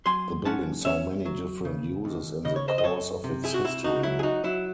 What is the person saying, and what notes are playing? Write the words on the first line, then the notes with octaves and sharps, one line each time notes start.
The building saw many different uses in the course of its history.
F#3 G#5 C6
C#4 F#5 A5
C#4 C#5 E5
F#3
C#3
D#2
C#3 D#5
C#5
C5 D#5
D#5
F#2 A4 C#5
C3
E4 G#4
F#4
C3 E4
D#4 F#4
F#3 E4
G#4
D#4 F#4
F#3 E4